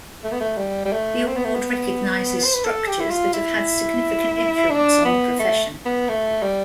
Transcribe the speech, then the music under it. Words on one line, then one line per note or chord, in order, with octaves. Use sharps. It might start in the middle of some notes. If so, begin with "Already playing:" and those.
The award recognizes structures that have had significant influence on the profession.
A3
B3
A3
G3
G3
A3
C4
B3
A3
B3
C5
B4
A4
G4
E4
F4
E4
D4
B3
A3
B3
A3
G3